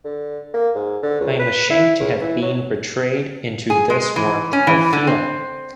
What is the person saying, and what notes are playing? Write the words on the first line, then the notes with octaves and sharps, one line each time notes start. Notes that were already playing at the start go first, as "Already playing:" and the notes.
I am ashamed to have been betrayed into this warmth of feeling.
D3
A#3
G#2
D3
C#2
B4
E4
C#2
E3
F#3
G#4
G#3
E3
C#4
E3
D3
C4